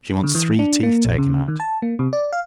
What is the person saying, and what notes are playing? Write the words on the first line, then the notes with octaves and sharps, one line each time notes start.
She wants three teeth taken out.
D3
E3
D4
A#3
A#1
C#3
D#3
A5
A#3
C3
D5
F5